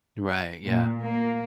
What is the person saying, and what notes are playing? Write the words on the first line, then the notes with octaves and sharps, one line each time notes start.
Right, yeah.
A#2
A#3